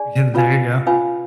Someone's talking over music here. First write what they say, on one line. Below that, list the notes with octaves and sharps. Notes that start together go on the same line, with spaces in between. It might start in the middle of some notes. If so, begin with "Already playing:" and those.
Yeah, there you go.
Already playing: D4 G#4 D5 G#5
C#4 F4 B4 F5 G#5
C#4 F4 B4 F5 G#5